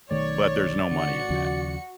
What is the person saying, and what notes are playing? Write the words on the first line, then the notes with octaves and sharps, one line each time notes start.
but there's no money in that."
B1 D#3 A3 C#5 D5
D3 F#4 C#7
D#2 C#3 F3